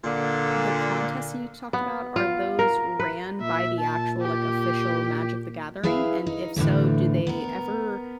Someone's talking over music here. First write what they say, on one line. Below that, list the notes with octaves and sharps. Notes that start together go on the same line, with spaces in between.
The contests that you talked about, are those ran by the actual, like, official Magic: The Gathering? And if so, do they ever
A#2 D3
B3
F4
A#4
B4
A#2 E5
A5
G4
E4 G#4 B4 E5 F5
D#4
A2 D3 E3 A3
B3 A#4